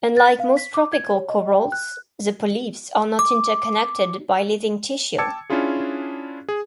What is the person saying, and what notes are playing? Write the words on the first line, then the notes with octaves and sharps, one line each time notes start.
Unlike most tropical corals, the polyps are not interconnected by living tissue.
A6
F5
B6
D6
G#6
C#5
D#5
G5
F#6
D6
G5 A5 D6 E6 G#6 C#7
C#4 D4 E4 F4 G#4
G#4